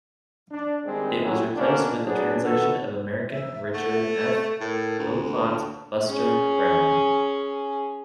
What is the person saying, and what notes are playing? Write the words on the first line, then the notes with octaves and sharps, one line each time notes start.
It was replaced with a translation of American Richard F. Outcault's "Buster Brown".
D4
D#3 G3 G#3 C4
F#3 C#4 E4 G4
B2 A#3 C#4 D4
F#3 B3 D4 G#4
D#3 F#4 A4 B4
E5
A3 F#5
E5
A2 A#4
D2
A5
C#4 G#4